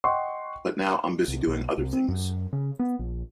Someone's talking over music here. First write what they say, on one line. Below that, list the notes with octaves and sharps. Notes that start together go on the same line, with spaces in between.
But now I'm busy doing other things.
D#5 F#5 G5 C6 C#6
C2
B1
C2
C4
F#2
C#3
B3
A#1